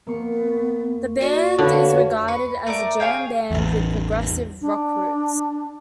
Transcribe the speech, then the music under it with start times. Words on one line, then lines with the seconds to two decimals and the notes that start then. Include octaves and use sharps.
The band is regarded as a jam-band with progressive rock roots.
0.07 A#3 B3 C#6
1.20 F#4 D5
1.58 D3 D4 B4 C#5 F5
2.28 B4 C#6
2.67 A3 A#4 D5 D6
3.00 G#4 C#5 F5 G5
3.51 A1 E2
4.62 D4